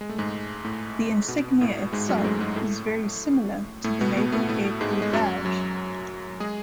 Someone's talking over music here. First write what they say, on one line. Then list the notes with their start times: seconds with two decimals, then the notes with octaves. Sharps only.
The insignia itself is very similar to the Naval Aircrew Badge.
0.01 G#3
0.09 A3
0.18 G#2 G#3
0.64 A2 A3
1.28 B2 B3
1.61 A2 A3
1.93 G#2 G#3
2.09 F#2 F#3
2.18 A3
2.24 G#2 G#3
2.40 G#2 G#3
2.56 A2 A3
3.84 A2 A3
4.01 B2 B3
4.17 B2 B3
4.32 A2 A3
4.48 A2 A3
4.81 G#2 G#3
5.02 G#3
5.13 F#2 F#3
5.45 F#2 F#3
6.40 G#3 G#4